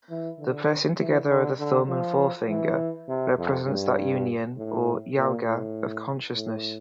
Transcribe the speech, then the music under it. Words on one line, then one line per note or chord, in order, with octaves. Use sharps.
The pressing together of the thumb and forefinger represents that union-or "yoga"-of consciousness.
E3
D3
E3
D3
D3
F3
E3
C3
F2
G2
A2
A#2
A2
A2